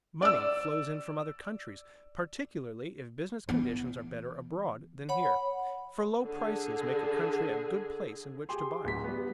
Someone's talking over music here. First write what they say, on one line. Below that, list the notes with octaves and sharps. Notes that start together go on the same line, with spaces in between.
Money flows in from other countries, particularly if business conditions are better abroad than here, for low prices make a country a good place in which to buy.
D5 E6
E3 B3
C#5 F#5 B5
D3 G#4
G4 G#4 G5 C6
D1 D2 B6
G3 B3